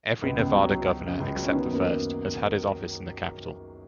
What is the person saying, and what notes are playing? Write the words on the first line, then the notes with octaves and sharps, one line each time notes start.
Every Nevada governor except the first has had his office in the capitol.
C#2 B3
C#2
F#3
F#3
F#3
C#3
C#2
F#3
C#4
D#3 B3
F#2
A#3